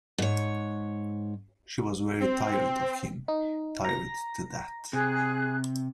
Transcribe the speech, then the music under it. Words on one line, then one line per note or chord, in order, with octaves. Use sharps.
She was very tired of him — tired to death.
G#2 C#5
C4
D#4
A#5 A#6
C3 G#4 F#6